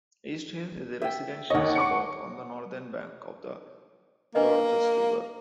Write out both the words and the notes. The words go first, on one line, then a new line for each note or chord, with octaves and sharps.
East Hills is a residential suburb on the northern bank of the Georges River.
E5 G5
D#2 C#5 D#5 F#5
C#6 D6 C#7
A#3 D4 B4 D#5